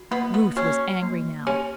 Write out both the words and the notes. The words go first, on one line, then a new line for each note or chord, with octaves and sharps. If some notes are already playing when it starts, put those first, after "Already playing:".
Ruth was angry now.
Already playing: F#4
A#3 B3
B3
C#4 F#4
A#3
C#4 G4